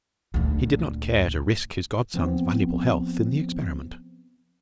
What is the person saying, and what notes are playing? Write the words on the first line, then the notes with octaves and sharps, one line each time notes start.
He did not care to risk his godson's valuable health in the experiment.
D2 A#2
F3 B3 C4